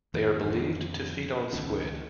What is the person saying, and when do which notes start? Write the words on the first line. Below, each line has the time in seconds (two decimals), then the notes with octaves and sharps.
They are believed to feed on squid.
0.14 F2 D#3
0.44 D1 F2 D#3 D4
1.53 C#2 D#3 A3 C#4